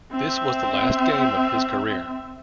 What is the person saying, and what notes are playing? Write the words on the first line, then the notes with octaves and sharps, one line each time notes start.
This was the last game of his career.
C4 E5